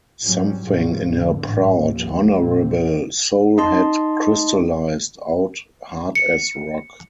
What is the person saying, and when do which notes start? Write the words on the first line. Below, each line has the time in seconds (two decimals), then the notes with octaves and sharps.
Something in her proud, honourable soul had crystallised out hard as rock.
0.24 G#2 F#3 G3 C#4
0.62 F2 A2 C#3 F3
1.10 F1 G#2 D3
1.42 A1 G#2
1.88 D#2 F3
2.36 F2 A#2 D3 C4
3.58 D#4 D#5 A5 C6
6.15 C#7